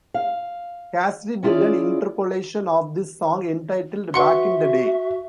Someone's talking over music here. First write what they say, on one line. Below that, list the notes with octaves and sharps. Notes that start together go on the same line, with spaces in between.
Cassidy did an interpolation of this song entitled "Back in the day".
F5
C#4 E4 F4 G4 G#4 D5
F#4 B4 E5 F#5 C6 C#6 C#7